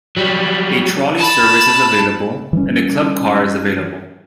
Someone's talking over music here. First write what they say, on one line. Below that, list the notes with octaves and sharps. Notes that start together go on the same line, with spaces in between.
A trolley service is available, and a club car is available.
F#3 G3
A5 B5
E3 G3 C#4